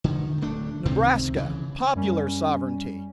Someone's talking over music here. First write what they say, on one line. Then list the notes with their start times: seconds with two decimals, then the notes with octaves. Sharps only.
Nebraska--Popular Sovereignty.
0.04 D3 D#3
0.41 D1 A3 D4
0.86 C#2 C3 D#3 C4
1.36 C#3 E3
1.95 F#2 G3 C#4